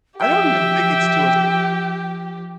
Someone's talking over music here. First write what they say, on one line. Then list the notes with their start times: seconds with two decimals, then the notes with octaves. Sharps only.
I don't even think it's to us
0.21 F3 G4 E5 G5